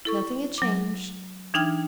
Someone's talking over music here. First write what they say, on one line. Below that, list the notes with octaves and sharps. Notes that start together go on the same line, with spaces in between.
Nothing had changed.
E4 A4 C#6
F#3 D6
E3 D4 D#4 G5 F6 G#6